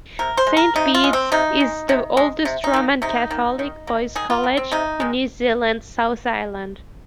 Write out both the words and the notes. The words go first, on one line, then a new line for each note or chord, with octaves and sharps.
Saint Bede's is the oldest Roman Catholic Boys' College in New Zealand's South Island.
C3 A#4
C5
G#3
A#4
C3 D#4
F4
G#3
C4
C3 D#4
G#3
C3
G#3
C3
D#4
D#3 A#3
C3 D#4
D#3 A#3
D#3
A#3
D#3 G#4
F4
A#3
C4
C3 D#4
D#3 G#3